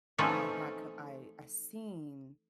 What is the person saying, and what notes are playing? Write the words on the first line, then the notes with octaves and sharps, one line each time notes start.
I had co I I seen
E3 F3 A3 C4 C#4 D#4